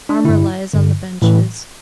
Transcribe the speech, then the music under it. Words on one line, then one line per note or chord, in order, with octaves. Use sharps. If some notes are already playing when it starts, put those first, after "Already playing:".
Armor lies on the benches.
D4
G2 D3 E4
G2 D3
A2 E3